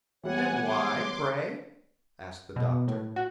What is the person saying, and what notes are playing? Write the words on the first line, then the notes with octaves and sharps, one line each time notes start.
"And why, pray?" asked the Doctor.
E3 G3 B3 C#5 F#5 G#5
C6 D6
B2
A2
F#4